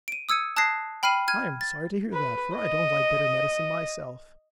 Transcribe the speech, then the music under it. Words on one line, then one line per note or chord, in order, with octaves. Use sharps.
"I am sorry to hear that, for I don't like bitter medicine myself."
D7 D#7
D#6 E6 G#6 C#7 D#7
A5 D#6 F#6 G#6 A#6 C7
G5 B5 F6 C7 D#7 F#7
F6 G#6 D#7
A6
B4
D#5